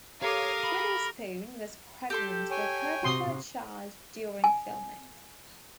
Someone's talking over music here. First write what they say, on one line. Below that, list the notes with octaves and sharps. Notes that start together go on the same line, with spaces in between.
Witherspoon was pregnant with her third child during filming.
G4 A4 A#4 C#5 F5 D6 D#6
B5
G4 A4 C6
C#5 G5 G#5
C3 F#4 C6 D#6
G#5